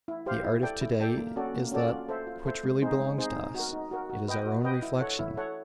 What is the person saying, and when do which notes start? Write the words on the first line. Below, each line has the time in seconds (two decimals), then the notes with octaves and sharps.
The art of to-day is that which really belongs to us: it is our own reflection.
0.08 E4
0.26 G4 C5 F5
0.45 E4
0.63 A4 D5 G5
0.81 E4
1.00 A4 D5 G5
1.18 A#3
1.36 C#4 F#4 A4 D5
1.54 A#3
1.72 C#4 F#4 A4 D5
1.90 F4
2.09 A4 C5 E5
2.27 F4
2.45 A4 C5 E5
2.63 G#3
2.82 C4 D#4 G#4 C5
3.00 G#3
3.18 C4 D#4 G#4 C5
3.36 D#4
3.55 F#4 A#4
3.73 D#4
3.91 F#4 A#4
4.10 F#4
4.28 B4 D#5 G5
4.46 F#4
4.64 B4 D#5 G5
4.82 E4
5.01 A4 C#5 F#5
5.19 E4
5.37 A4 C#5 F#5